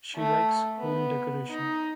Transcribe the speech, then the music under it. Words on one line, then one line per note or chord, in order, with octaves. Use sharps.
She likes home decoration.
A3
B3
D#4